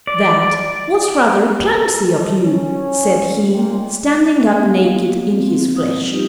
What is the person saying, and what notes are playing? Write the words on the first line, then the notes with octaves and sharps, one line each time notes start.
'That was rather clumsy of you,' said he, standing up naked in his flesh.
D5
A4
C#4
C#2 A#2 G#3 G5
A#3 B3 G4
F5
C4
F3 D#6
G3 D#4 F4 G4